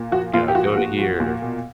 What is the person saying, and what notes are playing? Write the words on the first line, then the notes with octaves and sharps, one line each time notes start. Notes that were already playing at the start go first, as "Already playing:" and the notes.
you know, "go to here,"
Already playing: A#2
F3 F#4
A#2 F4
G4
F3 F#4
A#2
F3
A#2
B2